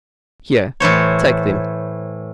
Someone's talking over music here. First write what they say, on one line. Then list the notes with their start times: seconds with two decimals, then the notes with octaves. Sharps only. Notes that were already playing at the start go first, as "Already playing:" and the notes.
Here, take them!
0.80 A2 E3 C5 C#5